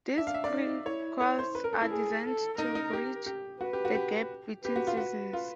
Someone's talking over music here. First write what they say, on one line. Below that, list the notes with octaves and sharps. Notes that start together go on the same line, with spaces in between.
These prequels are designed to bridge the gap between seasons.
D4 E5
F5
E5
D5
D#4
E4 C#5
C#5
C5
B4
A#4
A4
E4
G#4
A4
D#4 A#4
D#4
G4
G4
F#4 B4
G4
F#4
G4
G4 B4
F#4
F4
F#4 B4
F4